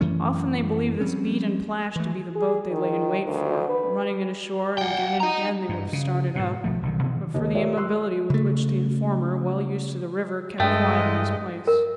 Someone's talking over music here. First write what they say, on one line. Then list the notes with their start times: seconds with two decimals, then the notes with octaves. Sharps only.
Often they believed this beat and plash to be the boat they lay in wait for, running in ashore; and again and again they would have started up, but for the immobility with which the informer, well used to the river, kept quiet in his place.
0.01 F#2 E3 A3 C#4
1.01 F3 G3 C4 C#4
1.96 E3 A3
2.35 G#4
2.71 D#3
3.24 D2
3.69 B4
4.78 F#5 G5
5.20 D#5 A#5
5.69 G2
5.93 C#3
6.35 G#2 B2
6.64 B1 F3 A3
6.83 B1 D3 D#3
7.03 B2 D#3 E3 B3
7.34 D#2 D#3 D#5
7.55 F4 G4 A#4 C#5 D5 E5
7.77 E5 C6 E6 F#6
8.30 C#3 A3
10.60 G2 G#3 A3 D#5 G5
11.67 A#4